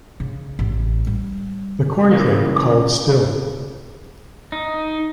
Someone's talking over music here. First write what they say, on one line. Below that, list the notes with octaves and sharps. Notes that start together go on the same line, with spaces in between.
The corncrake called still.
C#3
A1
G3
C#3 E3 A#3
D#4